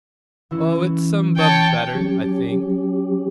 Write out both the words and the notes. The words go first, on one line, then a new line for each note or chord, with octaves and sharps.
"Oh, it's some bub-better, I think."
E3 C#4 E4
C#5 G5 A5
F#3 C#4 G4